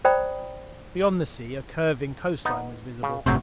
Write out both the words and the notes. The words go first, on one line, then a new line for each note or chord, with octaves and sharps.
Beyond the sea, a curving coastline was visible.
C5 D5 G5 A#5 B5 D#6
B3 D#4
C#3
G1 A2 C3 F#3 C5